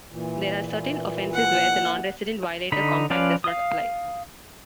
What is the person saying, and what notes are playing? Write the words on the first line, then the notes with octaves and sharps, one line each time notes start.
There are certain offenses where the Non-Resident Violator Compact does not apply.
A#2 E3
F#5
D3 D#4 B5
F3 C#4 B4 D5 F5
F5 D#6